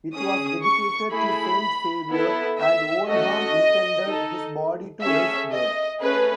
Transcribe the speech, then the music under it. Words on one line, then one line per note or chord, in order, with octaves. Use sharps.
It was dedicated to Saint Saviour, and Oldham intended his body to rest there.
C#4 G#4 D#6
C#6
A3 E4 G#4 B5
B3 E4 A4
E5
A3 C#4 F#4 A4 D#5
D#4 A4
A3 C#4 G#4 E5
D#5
A3 C#4 G#4 B4